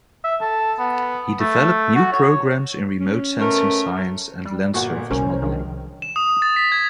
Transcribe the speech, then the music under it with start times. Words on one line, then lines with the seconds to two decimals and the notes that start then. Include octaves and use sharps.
He developed new programs in remote sensing science and land surface modeling.
0.24 E5
0.41 A4
0.79 B3
1.40 A3
1.95 F#4
2.12 C#5
3.00 C#4
3.40 B2 A3 A#4
4.45 G3
4.74 G1 A#2 F#4 F#5
5.11 C2 C#4 A#4 C5 C#5
5.42 D#3 F3 G#3 D4
6.02 E7
6.16 D#6
6.42 A6
6.56 B6
6.72 G#6